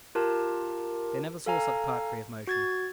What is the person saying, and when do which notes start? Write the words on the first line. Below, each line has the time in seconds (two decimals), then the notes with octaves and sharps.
They never saw such poetry of motion.
0.15 F4 G4 A#4 A5
1.46 A4 F5 G#5 A#5
2.47 F#4 G#6 A6